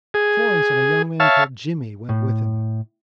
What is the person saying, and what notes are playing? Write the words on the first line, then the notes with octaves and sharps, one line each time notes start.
And Florence and a young man called Jimmy went with him.
G#4
C#5 E5 F5 A5
A2